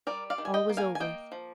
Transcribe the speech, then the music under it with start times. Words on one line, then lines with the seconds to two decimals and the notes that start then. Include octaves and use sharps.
All was over.
0.07 G3 A#4 D5
0.30 D5 F5
0.38 D#3
0.45 G#5
0.54 D#5 G5
0.69 A#3
0.77 F5 G#5
0.95 G#5
1.00 A#3 D#5 G5
1.32 F3